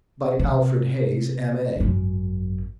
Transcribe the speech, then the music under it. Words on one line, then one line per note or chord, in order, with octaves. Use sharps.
By Alfred Hayes, M.A.
C3
G#1 F#2